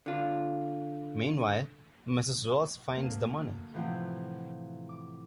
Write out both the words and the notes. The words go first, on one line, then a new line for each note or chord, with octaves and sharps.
Meanwhile, Mrs. Ross finds the money.
D3 F4
D2 A#3
A2 C3 E3 F3 F#5 G5
D6